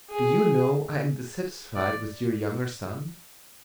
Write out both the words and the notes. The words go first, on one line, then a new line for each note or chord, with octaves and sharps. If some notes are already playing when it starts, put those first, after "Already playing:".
Do you know I am dissatisfied with your younger son?
G#4
D5